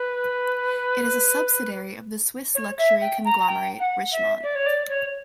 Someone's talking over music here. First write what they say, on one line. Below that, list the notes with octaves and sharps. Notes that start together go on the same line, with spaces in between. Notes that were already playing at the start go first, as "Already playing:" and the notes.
It is a subsidiary of the Swiss luxury conglomerate Richemont.
Already playing: B4
C#5
E5
G5
A#5
A#5
G5
F#5
E5
D5
C#5
D5
C#5